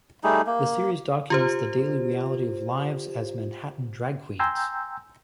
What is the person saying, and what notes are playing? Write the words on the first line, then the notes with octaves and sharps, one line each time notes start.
The series documents the daily reality of lives as Manhattan drag queens.
G3 A3 D#4 G#4
A#3
F4 G4 C5
G5 G#5 A#5 C6 E6 G6